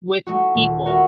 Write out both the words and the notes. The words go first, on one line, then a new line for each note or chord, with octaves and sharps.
with people,
A3 D#4 F#4
D#1
F#4 A#4 E5 F#5